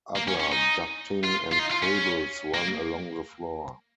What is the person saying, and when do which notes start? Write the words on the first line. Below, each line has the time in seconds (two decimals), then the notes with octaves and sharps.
Other ducting and cables run along the floor.
0.16 A#3
0.28 C#4
0.40 C#4
0.52 D#4
1.24 F4
1.52 F4
1.59 D#4
1.71 F4
1.83 C#4
2.54 A#3